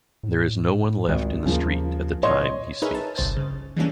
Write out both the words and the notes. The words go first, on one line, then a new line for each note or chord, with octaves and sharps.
There is no-one left in the street at the time he speaks.
A2
A2
G#1 C#2
D#2 C#3 F3 A#3
A#2 C#5 D#5 C6
D#4 G#4 A#4 B4 C#5 E5
A5
G1 C2 C5 A6
C#3
E3 G3 G#3 A#3 C#4 D4